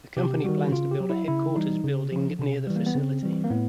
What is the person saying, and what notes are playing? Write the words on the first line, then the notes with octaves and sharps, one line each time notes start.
The company plans to build a headquarters building near the facility.
C3 G4
D#3 G3 F#4
C#3 F4
G4
F#3
E4
C#3 E4
E3 G3 D#4
C#3
F3
C3
E3 G3
A#3
B3
C#3 C4
E3 G3
A#3
A2 B3